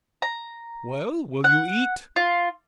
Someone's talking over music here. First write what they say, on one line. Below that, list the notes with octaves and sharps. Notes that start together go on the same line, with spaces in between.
"Well, will you eat?"
A#5
F#5
F4